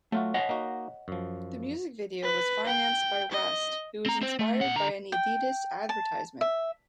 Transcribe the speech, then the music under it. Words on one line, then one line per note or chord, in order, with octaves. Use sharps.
The music video was financed by West, who was inspired by an Adidas advertisement.
F#3 A3 F4 F#4
C#5 D#5 F#5
A#3 D#4 F#4
F#2 F3
B4
G5
D#5
C4 A#5
C4 C5
A3
A#2 F#5
D3 A#5
G5
A5
E5